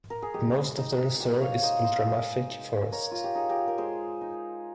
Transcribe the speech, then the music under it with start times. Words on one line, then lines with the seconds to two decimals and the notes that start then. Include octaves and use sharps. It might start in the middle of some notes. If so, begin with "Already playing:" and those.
Most of the reserve is ultramafic forest.
0.10 A#4
0.22 G#4
0.34 G#3 G4
0.77 D#4
1.20 G#3 G4
1.41 C#5 F5
1.63 D#4 C5 D#5
1.84 C5 D#5
2.06 G#3
2.49 D#4
2.92 G#3 A#4 C#5
3.11 F4
3.24 G4
3.35 D#4 G#4
3.49 G4 A#4
3.68 A#4
3.78 G#3 G#4 C5
4.21 D#4